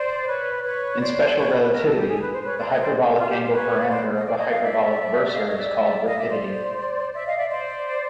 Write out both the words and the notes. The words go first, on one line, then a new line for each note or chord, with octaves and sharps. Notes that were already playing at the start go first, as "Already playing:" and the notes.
In special relativity, the hyperbolic angle parameter of a hyperbolic versor is called rapidity.
Already playing: C5 D5
B4 C#5
B4 C#5
C5 D5
B4 C#5
B4
B4
A#4
A4
G4
G#4
B4
C5
B4 C#5
C5 D5
C#5 D#5
C5 D5
F4
G4
C5
B4 C#5
C5 D5
D#5
C5 D5
C#5 D#5
D#5 F5
D5 E5
D#5 F5
C#5 D#5
D5 E5
D#5 F5
D5 E5
C5 D5
D5 E5
D#5 F5
D5 E5
C5 D5